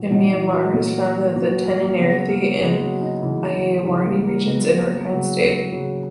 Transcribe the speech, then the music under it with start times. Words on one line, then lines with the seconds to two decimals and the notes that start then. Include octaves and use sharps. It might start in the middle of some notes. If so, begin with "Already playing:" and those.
In Myanmar it is found in the Tanintharyi and Ayeyarwady Regions and Rakhine State.
Already playing: A#2 E3 F#3
0.11 A#2 F#3 D#4
0.31 E3 E4
0.52 F#3 F#4
0.72 A#2 F#3 A#3 A#4
1.35 A#2 F#3 F#4
1.51 F#3 F#4
1.66 A#3 A#4
1.83 A#3 A#4
1.97 C#3 F#3 B3 B4
2.29 A#3 A#4
2.60 C#3 F#3 G#3 G#4
2.81 F#3 F#4
3.02 D#4
3.22 C#3 E3 F#3 E4
3.54 E3 E4
3.85 C#3 E3 F#3 E4
4.05 A#3 A#4
4.27 A#3 A#4
4.47 C#3 F#3 B3 B4
4.79 A#3 A#4
5.09 C#3 F#3 F#4
5.72 C#3 F#3 F#4